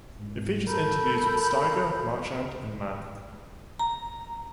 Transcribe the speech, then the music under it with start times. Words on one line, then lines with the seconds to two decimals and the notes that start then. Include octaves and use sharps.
It features interviews with Steiger, Marchand and Mann.
0.19 G#2
0.67 A4 A#4 B5 G6
3.79 A#5